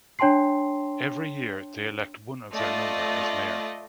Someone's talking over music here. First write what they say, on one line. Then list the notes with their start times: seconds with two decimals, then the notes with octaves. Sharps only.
Every year, they elect one of their number as mayor.
0.19 D4 C#5 G5 A5 C6 C7
2.54 A3 F4 D5 D#5